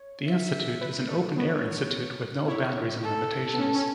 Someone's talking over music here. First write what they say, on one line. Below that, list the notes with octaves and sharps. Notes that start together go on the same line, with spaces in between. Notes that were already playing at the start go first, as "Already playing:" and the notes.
The institute is an open-air institute with no boundaries and limitations.
Already playing: C#5
E5
B4
A3
B3 C#5
E4 C#5
A4
B3
C#4
C#4